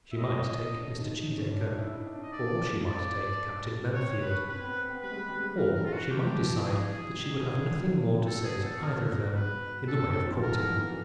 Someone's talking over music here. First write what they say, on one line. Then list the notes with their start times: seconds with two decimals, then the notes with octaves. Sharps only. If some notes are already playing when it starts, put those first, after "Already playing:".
She might take Mr. Cheesacre, or she might take Captain Bellfield--or she might decide that she would have nothing more to say to either of them in the way of courting.
0.12 E5
0.17 C#4 D#5
0.72 D4
0.98 D#4
1.26 D#4
1.38 C#4
1.52 D4
1.65 D#4
1.78 E4
1.92 D#4
2.06 D4
2.19 D#4 D#5
2.32 D4 D5
2.87 D5
3.89 C4
3.94 C#4 C#5
4.22 B4
4.49 C4 B4
4.62 B3
4.75 C4
4.89 B3
5.02 G3 B4
5.12 G#3
5.16 G3
5.30 G3
5.43 G3
5.56 E3 A#4
5.74 A#4
5.85 F4
5.92 F#4
6.11 F3 G4
6.24 F3
6.37 E3
6.64 E3 G#4
6.92 G#4
7.18 D#3
7.31 C#3
7.46 D3
7.73 D#3
7.86 C3
7.99 C3
8.13 B2
8.26 A4
8.44 G#4
8.62 A4
8.80 B2 A#4
9.35 B4
9.88 A#2 A4
10.01 B2
10.16 D#3
10.29 F3
10.41 F3 A#4
10.55 E3
10.68 D3
10.82 B2